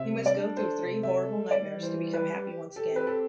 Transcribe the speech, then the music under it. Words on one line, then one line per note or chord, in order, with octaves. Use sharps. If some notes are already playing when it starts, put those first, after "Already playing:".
He must go through three horrible nightmares to become happy once again.
Already playing: C3 E5
G3
D5
D4
A4 C5
C3
A4 E5
G3
G3 D5
E3
C5
G3
B4
G4
G4
G4
A4
C4
B4
A4